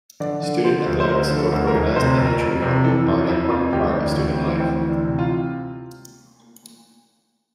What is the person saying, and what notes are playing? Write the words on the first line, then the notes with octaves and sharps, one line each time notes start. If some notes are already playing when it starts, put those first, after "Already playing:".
Student athletics, both organized and intramural, are an important part of student life.
D3 D5
D3
F3 C5
D2
C5
F3 A#4
D3
A4
D2
A#4
D2
C3 C5
F2
A#4
F2
C3
E3 A4
F2
F2 E4
F2 F4
D2 G4
E3
D4
D2
C4
E3
D2 C4
E3
D4
C3
F4